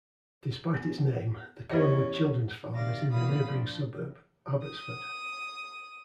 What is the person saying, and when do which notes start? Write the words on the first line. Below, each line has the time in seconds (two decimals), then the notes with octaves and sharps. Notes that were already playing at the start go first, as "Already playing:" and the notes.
Despite its name, the Collingwood Children's Farm is in the neighbouring suburb Abbortsford.
0.74 B3
1.70 E2 C#4 G4 C5 D#5
2.74 C3 D#3 D5 F5 A6 A#6
3.10 A#2 E3 B3 F5 B5 D#6
3.48 F3 D4
4.63 D#6